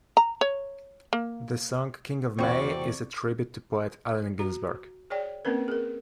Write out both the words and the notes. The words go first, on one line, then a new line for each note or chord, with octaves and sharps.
The song "King of May" is a tribute to poet Allen Ginsberg.
A#5
C#5
A#3
E2 C3 C4 F#4 D5 C#6
F#4 A#5
G#4 C#5 D5 G5
A#3 C4 C#4 A#4 B4
G#4 A#4